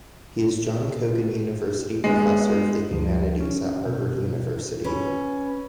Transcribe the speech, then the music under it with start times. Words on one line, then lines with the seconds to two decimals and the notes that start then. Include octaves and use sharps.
He is John Cogan University Professor of the Humanities at Harvard University.
2.04 G#3 B3
2.91 D2 F3
3.40 C#4
3.86 B2
4.84 C#4 B4 B5